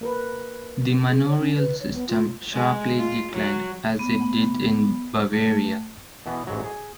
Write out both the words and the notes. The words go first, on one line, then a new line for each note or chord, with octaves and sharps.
The manorial system sharply declined, as it did in Bavaria.
A#3 A#4 B4
G#4
C#5
C#4
B4
C#5
B3
F4
G#3
F4
F#3
B3
A3
B2 E3 B3
A1 G#2 F#3
G#4